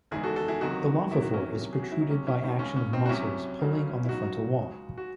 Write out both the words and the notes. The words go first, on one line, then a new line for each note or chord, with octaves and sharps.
The lophophore is protruded by action of muscles pulling on the frontal wall.
F#1 E2 D#3 G#3 E4 G#4
F#4 A4
F#4 A4
E4 G#4
C#2 C3 D#3 F#3 D#4 F#4
E2 C3 D#3 F#3 E4
F#4
C#4 E4
C2 C3 F#3
G#4
F#4
E4
D#4
C#2 C3 F#3 C#4
C#4 E4
C4 D#4
D#2 C#3 G#3 C#4
C#4
C4 D#4
F#4
C2 C3 F#3 C#4 E4
C#2 C#3 F#3
E4
C#2 C#3 F#3 D#4 F#4
C#2 C#3 G#3
F#4